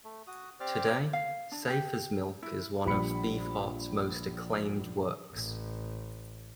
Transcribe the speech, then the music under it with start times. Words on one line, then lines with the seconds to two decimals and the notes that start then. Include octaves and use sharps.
Today, "Safe as Milk" is one of Beefheart's most acclaimed works.
0.04 A3
0.27 F#4 D#6
0.60 C4 G4 C5 D5 D6 F6
1.13 F5
1.52 D4
1.70 G4
2.43 E4
2.86 A#1 G3 B5 C#7
5.33 A1